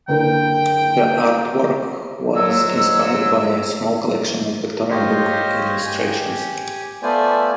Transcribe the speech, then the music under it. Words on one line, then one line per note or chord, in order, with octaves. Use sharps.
The artwork was inspired by a small collection of Victorian book illustrations.
F#1 D3 A#4 G5
G#2 F#3 E6
F4 G4 C5 C#5 D#5
G4 G#5
A3 B3 F4 C5 D5 G#5